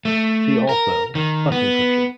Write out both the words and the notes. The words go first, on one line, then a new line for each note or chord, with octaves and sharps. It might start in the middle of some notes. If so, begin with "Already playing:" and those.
See also bus encryption.
A3
A#4
D#3
B3